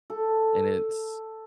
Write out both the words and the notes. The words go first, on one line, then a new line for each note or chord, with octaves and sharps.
And it's
A4